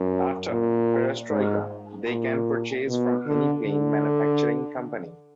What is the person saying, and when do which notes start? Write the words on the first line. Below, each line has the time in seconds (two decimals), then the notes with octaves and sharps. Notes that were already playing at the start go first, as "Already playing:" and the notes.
After Perestroika, they can purchase from any plane manufacturing company.
Already playing: F#2
0.52 A#2
1.30 G#2
2.09 A#2
2.88 B2
3.27 D3
3.65 D3